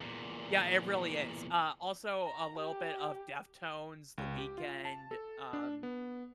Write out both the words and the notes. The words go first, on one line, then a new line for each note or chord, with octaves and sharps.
yeah, it really is. Uh, also a little bit of Deftones, The Weeknd, um
E2 A#2
A#5
G4
C#2
G4
F4
A5
A4
D4
B3